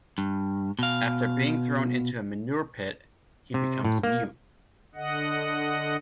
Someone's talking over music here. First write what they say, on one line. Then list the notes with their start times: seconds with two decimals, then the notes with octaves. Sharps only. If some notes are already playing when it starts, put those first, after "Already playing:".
After being thrown into a manure pit, he becomes mute.
0.18 G2
0.79 B2 F5
3.54 C3
3.85 A2
4.03 A#3
4.95 D3 D#5 F#5